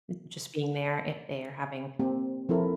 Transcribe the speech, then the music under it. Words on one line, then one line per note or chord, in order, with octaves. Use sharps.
n just being there if they're having,
A#3 C4 G4
F3 C4 E4 A4 A#4